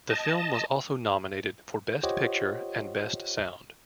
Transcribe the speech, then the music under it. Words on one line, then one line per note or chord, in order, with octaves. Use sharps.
The film was also nominated for Best Picture and Best Sound.
D#5 A5
F4 G4 C5 C#5 D#5 F#5